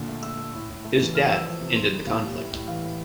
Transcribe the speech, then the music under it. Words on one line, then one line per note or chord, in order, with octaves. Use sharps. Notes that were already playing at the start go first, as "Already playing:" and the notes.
His death ended the conflict.
Already playing: A#2 D3
A3
A3 E6
A3
A2
A2
A3
E3
A3 F6
F3 E6
F3 E6
C3
G3 C6
G3
A#2 F5
G3
A2 E5
A2
E3 F5
A2